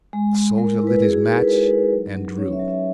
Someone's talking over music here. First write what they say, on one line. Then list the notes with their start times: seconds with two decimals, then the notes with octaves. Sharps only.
The soldier lit his match, and drew.
0.13 G#3
0.35 G#3
0.57 G#3 A#4
0.80 E4
0.87 B4
1.02 F#4 G#4
1.13 G#4
1.25 D#4 A#4
1.37 B4
1.47 G#3 B4
1.71 D#4
1.92 F#3
2.15 F#3
2.37 C#4 C#5
2.52 E5
2.59 F#3
2.68 E5